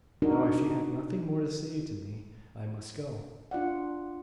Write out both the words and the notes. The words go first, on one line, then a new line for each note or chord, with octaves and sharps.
Now, if you have nothing more to say to me, I must go.
D4 D#4 F#4 A#4
D4 F4 D5 F#5